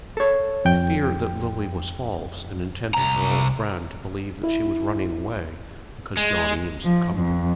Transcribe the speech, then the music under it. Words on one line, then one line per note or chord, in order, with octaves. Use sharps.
I fear that Lily was false, and intended her old friend to believe that she was running away because John Eames had come there.
A4 C#5
F2 G5
C2 A#5
E4
G#3
F3
F2